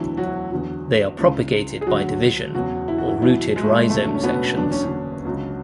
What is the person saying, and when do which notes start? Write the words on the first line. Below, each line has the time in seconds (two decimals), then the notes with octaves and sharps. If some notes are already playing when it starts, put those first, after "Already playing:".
They are propagated by division or rooted rhizome sections.
Already playing: E1 D2 D3 E3 F#3 E4
0.17 F#3 F#4
0.51 E2 D3 F#3
1.19 C#2 C#3 E3
1.81 G#4
1.87 D2 D3 F#3 F#4
2.55 E1 E2 C#3 F#3 F#4
2.88 E4
2.98 F#4
3.07 E3 E4
3.22 B1 B2 E3 F#3 E4
3.56 G#3
3.63 A3
3.70 G#3
3.90 E1 D2 C#3 F#3 A3
4.06 D4
4.15 C#4
4.24 B2 B3
4.57 F#1 E2 C#3 F#3 D4
4.72 C#4
4.85 D3 D4
5.25 C#2 C#3 F#3